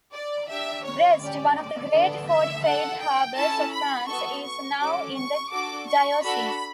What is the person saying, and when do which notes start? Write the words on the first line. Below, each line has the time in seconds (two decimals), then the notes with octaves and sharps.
Brest, one of the great fortified harbours of France, is now in the diocese.
0.13 D5
0.49 D4 G4 E5
0.85 C#5
1.20 C#4 G4 D5
1.57 D5
1.92 B3 D4 A4
2.28 E5
2.64 D4 A4 F#5
3.00 G5
3.36 C#4 E4 A4 A5
3.72 B5
4.07 B3 F#4 A4 C#6
4.43 C#6
4.79 C#4 F#4 A4 D6
5.15 C#6
5.51 D4 F#4 A4 D6
5.87 C#6
6.23 D4 F#4 A4 B5